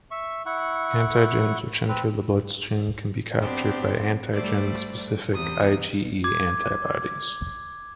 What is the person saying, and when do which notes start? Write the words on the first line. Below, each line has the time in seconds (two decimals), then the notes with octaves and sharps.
Antigens which enter the blood stream can be captured by antigen specific IgE antibodies.
0.11 E5 C#6
0.46 E4 F#5 C#6
1.88 C4 B4
3.39 B3 C4 D4 G4 C5
4.32 G3 A3 C5 D5
5.32 E2 C3 D#6
6.24 D6 G#6